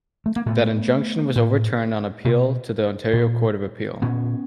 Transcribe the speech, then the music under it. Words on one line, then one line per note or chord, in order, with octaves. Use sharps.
That injunction was overturned on appeal to the Ontario Court of Appeal.
A3
A#3
A2 A3 B3
A2
B2
A#2
A#2 B3 C#4